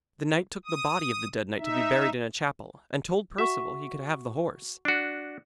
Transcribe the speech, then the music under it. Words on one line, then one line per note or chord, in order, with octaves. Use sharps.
The knight took the body of the dead knight to be buried in a chapel, and told Perceval he could have the horse.
D#6
D#4 E5
F#4 E5 F#5 C#6
D4 F#4